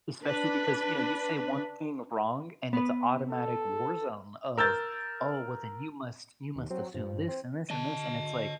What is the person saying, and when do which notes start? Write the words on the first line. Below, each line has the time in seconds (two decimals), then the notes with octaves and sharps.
especially because, you know, you say one thing wrong, and it's a automatic war zone of, "Oh, well, then you must you must assume this, and this, and this." And it's like,
0.22 D4 B4
2.73 B3 B4
3.30 A4
4.58 A#4 E6 G6 A6
6.56 D#2
6.70 F#3 C4
6.94 G2 F3
7.28 C4
7.70 D3 D#5 A5